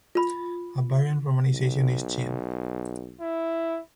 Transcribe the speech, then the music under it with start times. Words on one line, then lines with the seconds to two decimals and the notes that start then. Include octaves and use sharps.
A variant romanization is Chin.
0.15 F4 B5
1.51 B1
3.20 E4